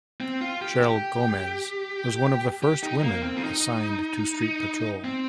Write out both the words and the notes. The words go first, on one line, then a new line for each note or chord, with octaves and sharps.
Cheryl Gomez was one of the first women assigned to street patrol.
C4
F4
G4
G4
G4
D#4
A#3
C4
F4
D#4
C4